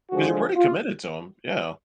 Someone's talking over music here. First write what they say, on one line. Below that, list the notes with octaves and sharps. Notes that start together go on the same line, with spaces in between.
'Cause you're pretty committed to 'em, yeah.
D3 F3 G#3 F#4
F4